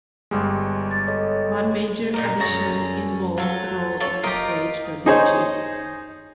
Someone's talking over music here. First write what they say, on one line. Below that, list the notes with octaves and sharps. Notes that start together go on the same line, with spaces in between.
One major addition involves the role of the Sage Dadhichi.
G1 G3 G#3
A6
A4 C#5 D#5
A#2 D#4 A#4
F#2 D3 C#4 G#4 A#5
F#3 F4 A4
F4 A4 C#5
F4 G4 A#4 D#5
D#4 G#4 C5 C#5 D#5